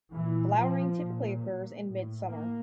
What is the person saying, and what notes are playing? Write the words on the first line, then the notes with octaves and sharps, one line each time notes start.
Flowering typically occurs in mid-summer.
A#2 E3
F3
A#2
A2
A#3